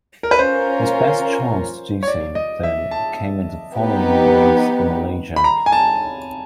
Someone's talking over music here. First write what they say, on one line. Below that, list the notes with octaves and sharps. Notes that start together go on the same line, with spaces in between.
His best chance to do so though came in the following race in Malaysia.
A#4
B4
C#4 F4 A#4 C5
C#5
D5
D#5
E5
A5
B3 D#4 G4 B4
B5
A#5
G#5
A5